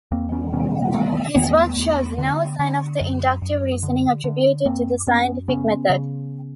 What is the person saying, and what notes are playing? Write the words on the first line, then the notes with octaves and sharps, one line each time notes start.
His work shows no sign of the inductive reasoning attributed to the scientific method.
E2 A#3 C4
B3 C#4
C3 B3 C#4
C3 A3 B3
E2 A3 B3
E2
D3
D3
F#2
F#2
D3
D3
F#2 A#3 C4
F#2 B3 C#4
C#3 B3 C#4
C#3